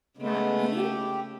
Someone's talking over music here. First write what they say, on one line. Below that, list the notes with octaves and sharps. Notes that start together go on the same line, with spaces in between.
Not eat it?
C#3 G#3 A3 B3
G4